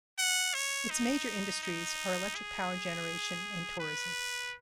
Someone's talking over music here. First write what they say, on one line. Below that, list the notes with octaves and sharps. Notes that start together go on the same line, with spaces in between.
Its major industries are electric power generation and tourism.
F#5
C#5
D#4
D#4
G#4
B4